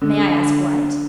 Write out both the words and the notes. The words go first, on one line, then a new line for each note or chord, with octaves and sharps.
"May I ask what?"
D3